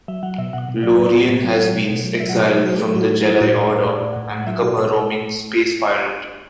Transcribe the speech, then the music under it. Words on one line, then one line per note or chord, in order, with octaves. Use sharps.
Lorian has been exiled from the Jedi Order and become a roaming space-pirate.
F#3 E5
F#3 F#5
B2 E5
B2 F#5
B2
F#3 D5
A2 B4
D5
A2 F#5
A2
F#3
F#3
B2
B2
F#3
F#3 E5
F#5
B2
E5
F#3
F#3 F#4
F#3 A4
A2 F#4
F#3
F#3 E4
A2 F#4
A2
A2 B4
A2 D5
A2 D5
A2 F#5
A2 F#5
F#3 E5
B2 F#4
B2 A4